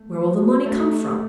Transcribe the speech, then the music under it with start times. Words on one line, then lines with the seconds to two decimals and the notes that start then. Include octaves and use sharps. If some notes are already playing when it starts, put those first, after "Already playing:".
Where will the money come from?
Already playing: A3
0.26 F#4
0.66 A3 F#4
0.92 G4